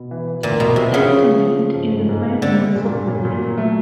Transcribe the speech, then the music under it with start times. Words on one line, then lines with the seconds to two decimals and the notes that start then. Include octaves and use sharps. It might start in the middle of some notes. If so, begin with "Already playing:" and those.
They compete in the Pioneer Football League.
Already playing: B2
0.11 E3
0.27 E3
0.43 D2 A#2
0.60 B2 A#3
0.76 C3 F3
0.93 C#3 F3
1.10 F3
1.26 F3
1.43 F3
1.60 F3
1.75 G#2
1.92 G#2
2.09 G#2
2.26 A3
2.42 D3 C4
2.59 G3
2.76 A#2
2.92 A#2
3.08 A#2
3.25 A#2
3.41 F#3
3.58 A3